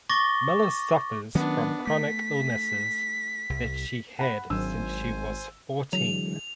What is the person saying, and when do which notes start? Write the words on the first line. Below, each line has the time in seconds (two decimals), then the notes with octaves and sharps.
Miller suffers from chronic illnesses that she had since she was fourteen.
0.09 C#6 D6 A6 A#6 G7
1.35 D#3 F#3 B3 C#4 D4
1.87 A3 B6
3.50 C2
4.19 F#5 B5
4.50 G#1 F#3 D4 C5 G#5 E6
5.93 D3 E3 F#3 G#3 F7